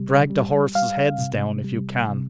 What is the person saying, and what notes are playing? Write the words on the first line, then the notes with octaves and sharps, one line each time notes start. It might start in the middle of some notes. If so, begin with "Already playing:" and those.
Drag the horses' heads down, if you can!
Already playing: C3 G3
G3
G3 F5
C3
G3
C3